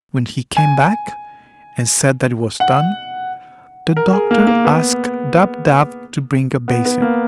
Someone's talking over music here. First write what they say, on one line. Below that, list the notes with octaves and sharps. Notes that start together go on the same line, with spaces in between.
When he came back and said that it was done, the Doctor asked Dab-Dab to bring a basin.
G#5
F#5
A#4
G#4
A#3
A#3
B3
B3
B3
A#3